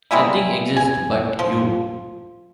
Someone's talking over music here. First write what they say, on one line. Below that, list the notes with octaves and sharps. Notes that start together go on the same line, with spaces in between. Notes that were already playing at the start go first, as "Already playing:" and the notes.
Nothing exists but you.
G3 G#3 A#3 E4
G#5
F3